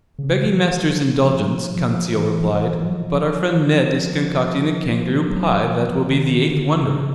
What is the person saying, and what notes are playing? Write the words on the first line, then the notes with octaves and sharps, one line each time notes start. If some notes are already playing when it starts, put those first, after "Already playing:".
"Begging master's indulgence," Conseil replied, "but our friend Ned is concocting a kangaroo pie that will be the eighth wonder!"
C#3
F3
E3
F3
F3
F3
F#3
F3
F3
E3
F3
E3
F#3
F3
F3
E3
F3
F#3
E3
F3
D#3
D3
C3
C#3